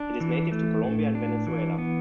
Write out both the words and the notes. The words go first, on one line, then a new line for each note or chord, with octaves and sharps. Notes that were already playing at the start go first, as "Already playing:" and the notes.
It is native to Colombia and Venezuela.
Already playing: D4
E3
A3
A2
D4
E3
B3